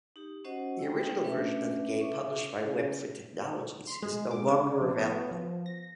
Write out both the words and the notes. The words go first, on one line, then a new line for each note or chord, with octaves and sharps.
The original version of the game published by Webfoot Technologies is no longer available.
D#4 G4
C#4 F#4 C5 D#5 F#5
G#3 G5 E6
A3 D#4 F4 G5
A3 C#4 D4 B4 E5
E5 C#6 D6
C#3
C6
G#3
D6
D4
F3
B3
F3
A#6